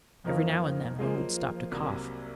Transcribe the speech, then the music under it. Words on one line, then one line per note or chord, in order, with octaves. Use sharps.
Every now and then one would stop to cough.
F2 D#3 F3 A#3 D#4 A#4
F3
F3 G#3 A#3 F4 G#4 D#5
F#3
F3
F3
C2 C3 D#3 F#3 A#3